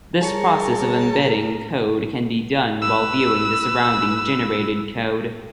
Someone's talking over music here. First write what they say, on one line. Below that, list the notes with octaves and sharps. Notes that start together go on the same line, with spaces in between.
This process of embedding code can be done while viewing the surrounding generated code.
G3 G#4 A#4 C#5 A5 C#7
B4 E6